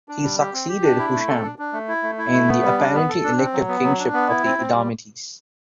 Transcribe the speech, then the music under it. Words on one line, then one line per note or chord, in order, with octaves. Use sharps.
He succeeded Husham in the apparently elective kingship of the Edomites.
D4
G3
G4
C4
G4
D4
E4
A3
A4
D4
D4
A3
E4
A3
E4
A3
B3
G3
D4
B3
A4
D4
C4
F#3
B3
F#3
D4
B3
E4
C4
C4
G3